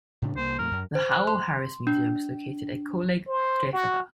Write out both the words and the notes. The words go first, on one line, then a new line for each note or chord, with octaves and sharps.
The Howell Harris Museum is located at Coleg Trefeca.
A2 C#3 D4
C2 A#3 C5
F2 A#2 A3 A#4
F#2
C5
F#6
C6
D4
C5
F#4